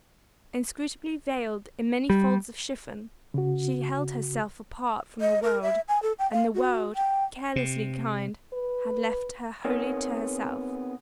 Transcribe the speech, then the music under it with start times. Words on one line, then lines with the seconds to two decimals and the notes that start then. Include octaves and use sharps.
Inscrutably veiled in many folds of chiffon, she held herself apart from the world, and the world, carelessly kind, had left her wholly to herself.
2.10 G3
3.34 C#3 F#4
5.21 D#5
5.43 A#4
5.62 E5
5.88 G#5
6.02 A4
6.19 G5
6.32 F5
6.54 F#4
6.96 G5
7.56 C3
8.53 B4
9.65 B3 C4 D#4 G#4 A#4 C#5